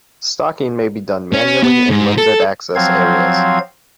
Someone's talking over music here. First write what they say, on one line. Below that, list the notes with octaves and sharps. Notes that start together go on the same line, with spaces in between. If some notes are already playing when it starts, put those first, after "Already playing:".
Stocking may be done manually in limited access areas.
C#4
B3
G#2
A4
F3 F#3 C4 F5 G#6